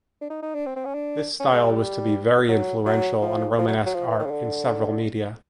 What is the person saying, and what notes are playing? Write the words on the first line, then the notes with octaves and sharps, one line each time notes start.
This style was to be very influential on Romanesque art in several media.
D4
D#4
D#4
D4
C4
C4
C#4
D4
C#4
G#3
G3
F#3
F#3
F3
F3
F#3
F#3
F3
E3
D#3
C#3
D3